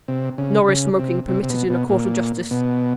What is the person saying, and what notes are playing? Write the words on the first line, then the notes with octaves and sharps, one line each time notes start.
"Nor is smoking permitted in a court of justice."
C3
C#3
C#3
C3
C3
C3
B2
B2
A#2
B2